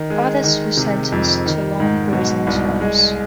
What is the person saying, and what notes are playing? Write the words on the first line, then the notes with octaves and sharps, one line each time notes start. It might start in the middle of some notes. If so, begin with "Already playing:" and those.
Others were sentenced to long prison terms.
Already playing: D#3
G#3
D#3
C3
F2
D#3
G#2
B2
C2
G#3